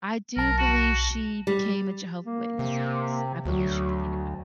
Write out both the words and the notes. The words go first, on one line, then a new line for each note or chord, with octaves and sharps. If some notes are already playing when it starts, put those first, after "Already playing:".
I do believe she became a Jehovah Witnesses. I believe she became a Jehovah
B1 A#4 A5
F#4
G3
A#3
C3
D2 F#3